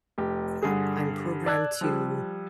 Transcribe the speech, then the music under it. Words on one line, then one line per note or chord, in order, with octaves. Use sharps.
I I'm programmed to
F1 G4
G2 D3 G#4
D5 A5 E6 F#6 G#6
F3 G3